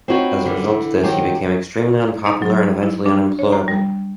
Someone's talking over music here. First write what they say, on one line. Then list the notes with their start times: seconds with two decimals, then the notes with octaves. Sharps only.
As a result of this, he became extremely unpopular and eventually unemployable.
0.08 C4 D#4 F4 F#4 B4 C#5
0.45 D3 E3
1.03 D#3 F#3 G#3 G4 C5
2.27 D#4
2.42 F#3
2.83 E4
3.06 D4
3.39 C#5
3.52 A#5
3.68 G3